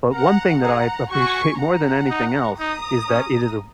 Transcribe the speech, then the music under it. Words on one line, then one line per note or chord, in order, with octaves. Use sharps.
But one thing that I appreciate more than anything else is that it is a
A#4 F#5 A#5
G#4 F#5 A#5
F#4 G#5 C#6
F#5 A#5
D#4
D#4 A#5 D#6
C#4